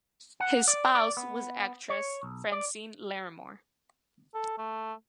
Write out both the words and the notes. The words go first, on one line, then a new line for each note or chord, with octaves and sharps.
His spouse was actress Francine Larrimore.
F#5
D5
D5
B3
C#5
B1
D5
A4
A3